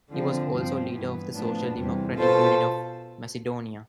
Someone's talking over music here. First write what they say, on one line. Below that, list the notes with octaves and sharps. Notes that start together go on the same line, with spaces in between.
He was also leader of the Social Democratic Union of Macedonia.
D3 F3 C4
G2 F3 C4
G2 E3 B3
A2 F3 B3 D4
E2 C3 G3
B2 B3 F4 A4 C5